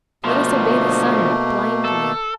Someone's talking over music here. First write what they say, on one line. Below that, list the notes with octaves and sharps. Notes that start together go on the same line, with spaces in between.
Let us obey the sun blindly.
D2 B2 F3 A3 A#3
A4